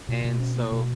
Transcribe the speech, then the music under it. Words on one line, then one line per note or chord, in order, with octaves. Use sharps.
And so
B2
B2
C#4
A#3
B2